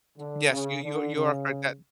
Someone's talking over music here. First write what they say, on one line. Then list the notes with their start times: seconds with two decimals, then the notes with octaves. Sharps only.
Yes, you you are you are correct, that
0.17 D3
0.51 C#3
0.83 D3
1.15 C#3